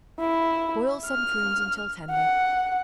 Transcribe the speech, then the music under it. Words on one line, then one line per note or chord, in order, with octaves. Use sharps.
Boil some prunes until tender.
E4
F6
F#5